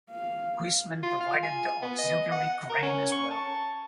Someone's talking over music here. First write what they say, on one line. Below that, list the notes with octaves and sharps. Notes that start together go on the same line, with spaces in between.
Huisman provided the auxiliary crane as well.
F5
F4
F5
G#5
B3
D#5
F#5
A#4
C#4
C#6
A5